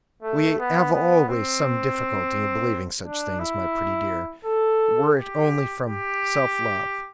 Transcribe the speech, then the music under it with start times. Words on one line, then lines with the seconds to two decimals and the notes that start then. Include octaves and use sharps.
"We have always some difficulty in believing such things, my pretty dear, were it only from self-love."
0.22 A3
0.59 B3
0.93 B3
1.29 C4
3.04 D4
3.39 E4
4.45 A4
5.15 G4
5.85 G4